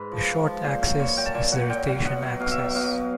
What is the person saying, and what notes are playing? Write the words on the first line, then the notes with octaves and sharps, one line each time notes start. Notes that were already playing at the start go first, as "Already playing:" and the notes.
The short axis is the rotation axis.
Already playing: G#2 B4
F3
G#2
F3
A#2 C5
F#3
A#2 C#5
F#3 G5
A5
A#2 G#5
F#3 F#5
A#2 G5
F#3
B2 F#5
F#3
B2 F5
E5
F#3
E5
B2 F5
F#3